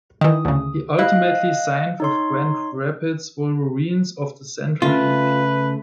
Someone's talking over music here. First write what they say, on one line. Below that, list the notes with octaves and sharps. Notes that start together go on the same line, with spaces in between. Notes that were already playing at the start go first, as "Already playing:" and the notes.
He ultimately signed with Grand Rapids Wolverines of the Central League.
D#3 E3 D#6
D2 C#3
E4 D#5 F5 F#6
D#4 C#5 C6
C#3 A3 F4 B4